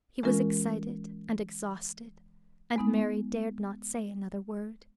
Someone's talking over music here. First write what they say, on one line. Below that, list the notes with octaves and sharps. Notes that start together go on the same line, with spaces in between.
He was excited and exhausted, and Mary dared not say another word.
E3 G#3 C#4 F4 A#4
G#3 B3 D#4